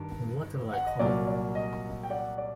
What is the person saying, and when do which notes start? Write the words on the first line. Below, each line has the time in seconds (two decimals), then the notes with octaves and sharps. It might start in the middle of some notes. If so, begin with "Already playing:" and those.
What'll I call them?
Already playing: G2 D#3
0.73 F#5
0.86 D#5
0.99 C2 A#2 F#3 A#3 D5
1.27 D5
1.55 D#5
2.03 G5
2.10 D5 F#5
2.38 D5